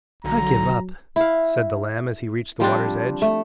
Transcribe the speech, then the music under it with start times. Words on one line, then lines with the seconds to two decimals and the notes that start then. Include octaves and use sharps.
"I give up," said the lamb as he reached the water's edge.
0.24 B1 D3 F#3 A#5
1.16 E4 F5
2.60 F3 G3 C4 D4
3.22 A3